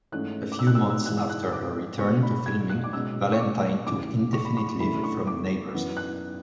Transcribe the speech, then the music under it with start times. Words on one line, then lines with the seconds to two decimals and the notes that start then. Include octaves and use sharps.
A few months after her return to filming, Valentine took indefinite leave from "Neighbours".
0.12 G#2 E3 A3 C#4 F#6
0.52 D6
0.59 E6
0.67 F#6
0.75 E6
0.90 E6
1.06 G#2 E3 G#3 F#6
1.17 E6
1.29 F#6
1.53 D6
1.99 B2 G#3 D4 C#6
2.23 B5
2.46 G#6
2.70 F#6
2.84 D6
2.93 B2 G#3 C#4 E6
3.33 C#6
3.40 D6
3.86 E2 C#3 E3 D6
4.33 C#6
4.45 B5
4.57 C#6
4.68 C#6
4.80 E2 C#3 E3 A3 D4 B5
5.04 C#6
5.27 D6
5.74 F#2 E3 B3
5.97 F#6